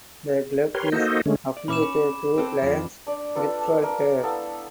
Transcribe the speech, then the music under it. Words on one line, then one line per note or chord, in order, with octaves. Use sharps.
The club is affiliated to Lions Gibraltar.
G4 A#4 B4 C#5 C6
A#3 D#4 F#4 A4 C5 D#5
D3 G#3 A3 C#4
D5
A#2 C#4 E4 B5 D6 E7
C#4
C4 A4
F2 F3
D4 D5
D4 F4 A4 B4
A5
A#4 E5
B3 E4 A4 F5